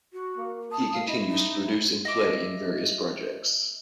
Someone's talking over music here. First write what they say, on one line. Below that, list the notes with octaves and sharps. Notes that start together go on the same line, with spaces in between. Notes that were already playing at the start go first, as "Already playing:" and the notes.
He continues to produce and play in various projects.
F#4
A#3
A5 D#6
F5
E4 D#5
D#4
D#5 E5 D6